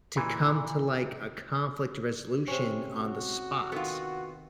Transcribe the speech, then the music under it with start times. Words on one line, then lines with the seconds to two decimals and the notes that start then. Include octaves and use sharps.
to come to, like, a conflict resolution on the spot.
0.16 A#2 E3
2.48 C3 C#4
2.91 F#4
3.72 D#3 B3 F4 A4